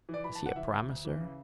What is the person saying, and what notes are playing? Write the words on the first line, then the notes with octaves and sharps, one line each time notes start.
Is he a promiser?
E3
D5
E3 B5
C#2 A5
F#5
E3 E5
D2
D2
E3
C#3